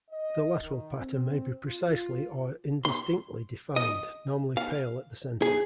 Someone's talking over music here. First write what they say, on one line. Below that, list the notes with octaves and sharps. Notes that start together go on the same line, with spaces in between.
The lateral pattern may be precisely or indistinctly defined, normally pale at the center.
D#5
D#3
C4
F4
C6
D#5
F5
G#4